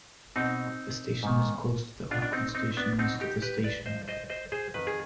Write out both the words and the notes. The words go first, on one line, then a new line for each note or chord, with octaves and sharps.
The station is close to the Oaklands station East of the station.
B2 C4 D#4
G#2 D#3
B2 D4 F4
D4
C4 D#4
C4 D#4
B3 D4
B2 C4 D#4
D#4 G4
G4 B4
B4 D5
G2 F3 C5 D#5
C5 D#5
C5 D#5
G#4 C5
F2 D#3 B4
G#4